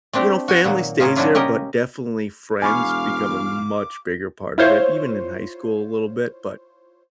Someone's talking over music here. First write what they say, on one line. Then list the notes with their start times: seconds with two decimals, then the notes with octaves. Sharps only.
you know, family stays there, but definitely friends become a much bigger part of it, even in high school a little bit. But
0.13 A3 C4 D4 G4
0.48 F#4 G#5
0.64 A#2 D#3 F#3 A#3
1.00 A2 C#4 D#4 F4
1.16 C#3 F#3 A#3 D4 E4 F4
1.35 C#4 G4 A#4 D#5
2.62 E1 F5 G#5 B5 C#6 D6
4.58 E4 F4 C5 C#5